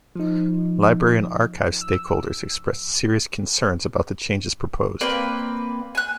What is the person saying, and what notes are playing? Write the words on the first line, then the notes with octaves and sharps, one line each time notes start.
Library and Archives stakeholders expressed serious concerns about the changes proposed.
F3 D#4
E6
A#3 C4 B4 D5
G#5 F#6